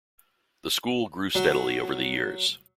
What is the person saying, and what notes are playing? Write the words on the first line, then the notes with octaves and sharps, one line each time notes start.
The school grew steadily over the years.
F#3